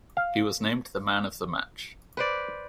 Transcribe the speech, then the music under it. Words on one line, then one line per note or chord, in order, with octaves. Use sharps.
He was named the Man of the Match.
F5
B4 C5 D5